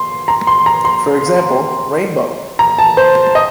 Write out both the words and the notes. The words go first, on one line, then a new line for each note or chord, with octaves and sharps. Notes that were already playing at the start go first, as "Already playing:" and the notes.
For example, rainbow.
Already playing: C6
A#5
C6
A#5
C6
A#5
A5
C5
D#5